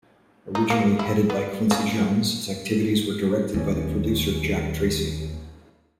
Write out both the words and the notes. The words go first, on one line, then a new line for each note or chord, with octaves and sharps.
Originally headed by Quincy Jones, its activities were directed by the producer Jack Tracy.
D#4
A#3
E4
B3
C#3
D#2 E3 C#4